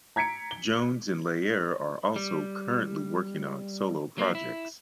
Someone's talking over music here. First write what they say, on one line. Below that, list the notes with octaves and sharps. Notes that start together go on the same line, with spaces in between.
Jones and Lallier are also currently working on solo projects.
A#5 G#6 B6 C#7 D7
G7
G3
F#3 A#3
E4